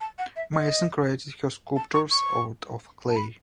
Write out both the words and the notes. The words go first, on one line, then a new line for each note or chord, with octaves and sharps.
Mason created her sculptures out of clay.
A5
F#5
E5
D#5
A5
C#6
C#6
A5
B5